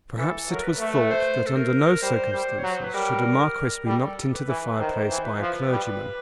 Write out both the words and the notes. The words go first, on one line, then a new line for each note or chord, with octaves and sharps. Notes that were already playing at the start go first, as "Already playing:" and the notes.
Perhaps it was thought that under no circumstances should a Marquis be knocked into the fireplace by a clergyman.
E3 A4
F#3
A#4
B4
A3
C5
A4
A#4
G3 C5
G3 C5
F#3 C#5
C5
B4
G3 A#4
G3 A4
B4
E3
D#3 C5
E3
B4
F3
G3